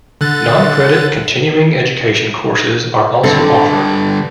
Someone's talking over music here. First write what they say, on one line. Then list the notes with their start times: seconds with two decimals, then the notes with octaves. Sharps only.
Non-credit continuing education courses are also offered.
0.21 D3 F#6 A6
3.24 G2 D3 C4 A4